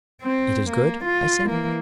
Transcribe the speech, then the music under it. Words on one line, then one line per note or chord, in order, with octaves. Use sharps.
"It is good?" I said.
C4
A#3
F4
E3 A#3